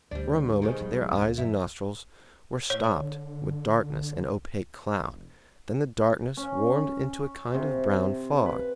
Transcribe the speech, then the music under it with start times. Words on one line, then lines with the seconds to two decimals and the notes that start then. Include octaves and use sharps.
For a moment their eyes and nostrils were stopped with darkness and opaque cloud; then the darkness warmed into a kind of brown fog.
0.11 D2 G3 D4
0.62 B2 D#3 G#3
0.80 F#3
1.13 C#2
1.38 F#2 F3 E4
2.70 A2 C#5
2.97 D3
5.00 F1
6.37 C#4
7.54 C3
8.46 B4